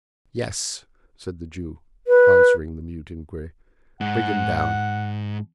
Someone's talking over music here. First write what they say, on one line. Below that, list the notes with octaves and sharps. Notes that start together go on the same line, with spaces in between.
'Yes,' said the Jew, answering the mute inquiry; 'bring him down.
B4
G#2 F#5